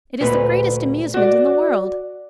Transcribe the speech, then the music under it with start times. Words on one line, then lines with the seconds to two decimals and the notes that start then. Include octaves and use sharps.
It is the greatest amusement in the world!
0.21 D2 A#2 B4
1.14 F#4 D5